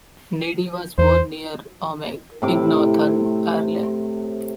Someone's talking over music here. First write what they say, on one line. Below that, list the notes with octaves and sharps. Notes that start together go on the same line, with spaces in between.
Kennedy was born near Omagh, in Northern Ireland.
E2 C5
A2 C3 D6